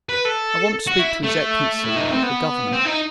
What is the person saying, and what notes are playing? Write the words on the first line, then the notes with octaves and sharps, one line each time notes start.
"I want to speak to his Excellency, the governor."
B4
A4
F#4
E4
A3
E4
D#4
C4
B3
C4
D#4